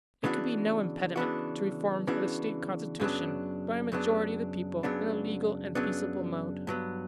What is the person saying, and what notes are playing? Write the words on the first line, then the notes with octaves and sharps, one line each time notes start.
It could be no impediment to reforms of the State constitution by a majority of the people in a legal and peaceable mode.
C#3 E3 B3 D4 F#4
C#3 E3 B3 D4 F#4
C#3 E3 B3 D4 F#4
F#2 C#3 F#3 B3 D4
F#2 C#3 F#3 B3 D4
F#2 C#3 F#3 B3 D4
F#2 C#3 F#3 B3 D4
G2 F#3 B3